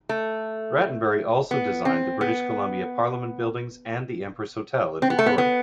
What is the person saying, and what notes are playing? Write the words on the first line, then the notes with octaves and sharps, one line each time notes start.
Rattenbury also designed the British Columbia Parliament Buildings and the Empress Hotel in Victoria.
A3
B3
C4
B3
C4
B3
A3
B3
B3